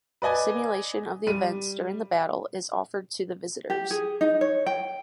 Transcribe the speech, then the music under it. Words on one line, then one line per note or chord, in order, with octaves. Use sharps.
Simulation of the events during the battle is offered to the visitors.
B4 D5 D#5 G#5
G3 D#7
G4
G#4
D#4
C#5
G5